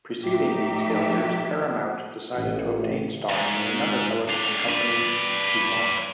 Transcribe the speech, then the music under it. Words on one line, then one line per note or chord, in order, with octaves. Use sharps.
Preceding these failures Paramount decided to obtain stocks in another television company, DuMont.
A2 F3 A3 D#4 G4 E5
A1
E2 G#2
D4 F5
B4 D5